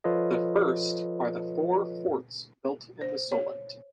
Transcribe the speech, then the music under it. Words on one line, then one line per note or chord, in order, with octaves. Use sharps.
The first are the four forts built in the Solent.
F3 F4 A4 B4 C#5 D#5
C5
C#5